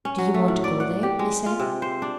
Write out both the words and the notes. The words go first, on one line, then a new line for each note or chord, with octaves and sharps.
"Do you want to go there?" he said.
C#4
F#3
A3
A2
D5
F#5
G4
G#3
F4
C3
C5
D4